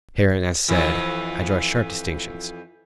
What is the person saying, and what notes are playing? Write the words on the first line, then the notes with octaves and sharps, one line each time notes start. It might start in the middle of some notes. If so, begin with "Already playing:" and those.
Herein, as said, I draw sharp distinctions.
F2 E3 E4